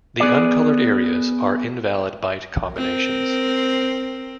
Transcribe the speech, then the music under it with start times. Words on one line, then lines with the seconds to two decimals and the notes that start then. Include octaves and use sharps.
The uncolored areas are invalid byte combinations.
0.20 B3 G#4 D5
2.73 C4 A#4